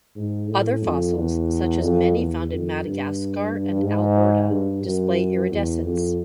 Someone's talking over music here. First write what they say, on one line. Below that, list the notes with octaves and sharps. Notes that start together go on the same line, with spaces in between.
Other fossils, such as many found in Madagascar and Alberta, display iridescence.
G#2
A2
F2
E2
F2
E2
F2
G2
G#2
G2
F#2
E2
F2